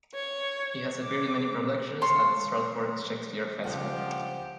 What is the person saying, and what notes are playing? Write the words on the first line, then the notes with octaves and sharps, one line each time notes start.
He has appeared in many productions at the Stratford Shakespeare Festival.
C#5
D6
A4 C#5 F5 C6
C#2 G2 F3 G4 F#5